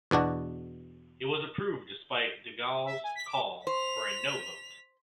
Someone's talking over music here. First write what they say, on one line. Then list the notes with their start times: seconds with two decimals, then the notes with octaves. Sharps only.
It was approved despite De Gaulle's call for a "no" vote.
0.11 E2 B2 D4 F#4
2.86 E5
3.04 G#5
3.15 B6
3.27 D6
3.67 C5 B6 F7